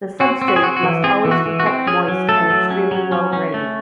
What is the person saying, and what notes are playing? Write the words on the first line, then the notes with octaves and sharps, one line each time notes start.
The substrate must always be kept moist and extremely well drained.
C4 F#4
C4
F#4
G#4
C4 F#4
F#4
E3
C4 G#4
E3
F#4
E3
F#4
C4
C#4 G#4
F#3
A3 A4
F#3
C#4
F#3
C#4
C#4
A3